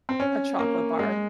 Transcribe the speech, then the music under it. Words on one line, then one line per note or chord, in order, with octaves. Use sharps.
a chocolate bar.
C4
C#4
A#3
G#3